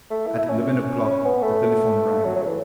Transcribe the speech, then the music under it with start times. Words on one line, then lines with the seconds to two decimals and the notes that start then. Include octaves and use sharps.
At eleven o'clock the telephone rang.
0.11 A3
0.27 E4
0.38 E4
0.49 C#4
1.25 B3
1.42 A3
2.25 F#3
2.36 F#3
2.42 C#3
2.47 E3